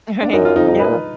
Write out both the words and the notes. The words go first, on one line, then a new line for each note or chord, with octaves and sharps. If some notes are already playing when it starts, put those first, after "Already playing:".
Right. Yeah.
D4
F#2 D#4
F4
F2 D#4
D#4
F#2 B4
A#2